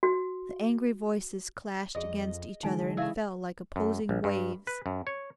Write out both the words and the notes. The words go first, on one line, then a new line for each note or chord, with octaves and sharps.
The angry voices clashed against each other and fell like opposing waves.
F#4
F2 F#4 G#4 D#5
D3 E3 G#3 D#4 G#5 A5
C#3 A3 E4 G#4 E5 F5 E6
F#2
A#1
G2
B4
F#2
C#5